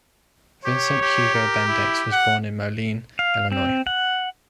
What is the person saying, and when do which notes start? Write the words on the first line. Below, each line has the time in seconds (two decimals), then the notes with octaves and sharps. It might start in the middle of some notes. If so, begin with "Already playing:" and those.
Vincent Hugo Bendix was born in Moline, Illinois.
0.65 G4 C#5
1.02 G4
1.35 A#4
1.68 E4
2.13 F#5
3.19 F5
3.52 C4
3.87 F#5